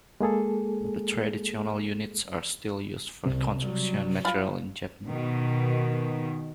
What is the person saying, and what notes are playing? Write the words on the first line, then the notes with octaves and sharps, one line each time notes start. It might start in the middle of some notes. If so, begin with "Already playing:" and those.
The traditional units are still used for construction materials in Japan.
G#3 A#3 G#4 A4
C2 C3
F#3 G3
F4 B5
B2 D#3